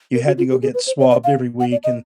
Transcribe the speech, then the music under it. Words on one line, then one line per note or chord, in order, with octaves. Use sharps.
you had to go get swabbed every week and
A#4
F#4
F4
G4
G#4
B4
C5
C#5
D5
F5
F#5
D5
D#5